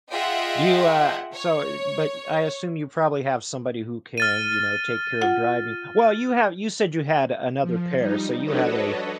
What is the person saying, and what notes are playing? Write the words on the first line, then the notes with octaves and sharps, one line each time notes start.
Do you, uh so but I assume you probably have somebody who can, you know, take care of driving. Well, you have you said you had another pair, so you have a
F4 G#4 D#5 E5 F#5 G5
C#5
F6 A6 D#7
F4 F#5
F3
G3 D#4
D4 F#4 A4 B4 C#5 D#5